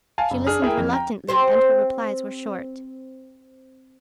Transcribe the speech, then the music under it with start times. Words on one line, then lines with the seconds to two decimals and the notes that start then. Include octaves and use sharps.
She listened reluctantly, and her replies were short.
0.18 F5 G#5 A5
0.31 F#1
0.47 D4 G#4 F6
0.62 E4 G#4 A#4 G5
0.77 F2
0.93 G5 A#5
1.28 C4 G4 C5